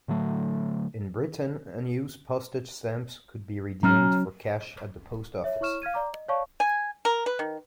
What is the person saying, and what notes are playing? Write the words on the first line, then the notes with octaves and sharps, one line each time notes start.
In Britain unused postage stamps could be redeemed for cash at the post office.
A2 D3 F#3 A3
F#3 C#4 A#5 F6
C#5 E5
E4 C#5 C#6 F6 E7
F5 F6 G#6 D#7
D5 A#5 D6
D#5
C#5 D5 F5 A5 C#6
G#5
A#4
B4
D#3